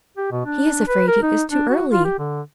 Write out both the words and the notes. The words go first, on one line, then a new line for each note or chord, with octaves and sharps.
"He is afraid he is too early!"
G4
B2
D4
B4
A#4
D#4
D4
F#4
F4
G4
D3